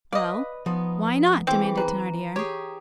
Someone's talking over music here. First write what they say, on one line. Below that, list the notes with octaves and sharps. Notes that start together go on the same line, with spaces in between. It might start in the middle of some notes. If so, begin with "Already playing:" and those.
"Well! why not?" demanded Thenardier.
B4 D5 D#5 F5
F3 B3 D#4
E3 C4 G#4 G5 D6
B4 A#5
G4 G#4 C#5